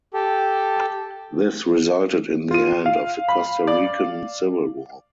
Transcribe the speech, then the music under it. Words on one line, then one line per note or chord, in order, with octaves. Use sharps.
This resulted in the end of the Costa Rican Civil War.
G4 A4
F4 D#7
F5
B5
D5